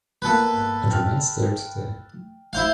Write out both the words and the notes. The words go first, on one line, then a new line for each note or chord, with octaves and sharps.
It remains there today.
A#3 B3 A4 B4
G5 F6
E4 C5 F5